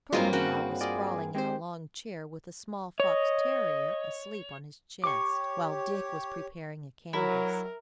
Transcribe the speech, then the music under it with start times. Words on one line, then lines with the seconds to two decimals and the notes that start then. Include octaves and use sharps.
Torpenhow was sprawling in a long chair with a small fox-terrier asleep on his chest, while Dick was preparing a canvas.
0.12 G2 F#3 G#3 A#3 C4 F4
0.33 C#3 C#4 F#4 A#4 G5
0.81 F4 G#4 D5 D#5
1.35 G#3 C4 G4 C5
3.00 C#5 D#5
5.04 G4 C#5 C#6 D6
7.13 F#3 E4 A#4